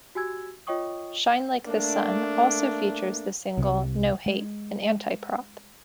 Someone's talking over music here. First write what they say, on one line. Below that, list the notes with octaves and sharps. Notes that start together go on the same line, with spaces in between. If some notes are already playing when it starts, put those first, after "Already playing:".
"Shine Like the Sun" also features the single "No Hate," an anti-Prop.
F#4 G4 G#5 E6 G#6
F4 C#5 D#5 G5 C#6 D#6
A3 A#3 D4
C2 C3
G#3